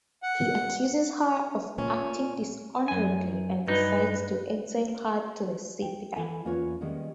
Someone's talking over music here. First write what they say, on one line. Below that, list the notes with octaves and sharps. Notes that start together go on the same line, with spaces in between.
He accuses her of acting dishonorably and decides to exile her to the Scythia.
F#5
A#2 C#4
F#2 G#5
G2 D#4 B4
G5
E3 E4 A4 G#5
E2 A#3 C#4 F4 B4 C#5
D#3 G3 G#3 A#3 B3 C#4